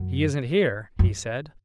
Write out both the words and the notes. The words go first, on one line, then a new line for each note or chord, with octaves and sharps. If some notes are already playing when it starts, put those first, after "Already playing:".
"He isn't here," he said.
Already playing: F#2
F#2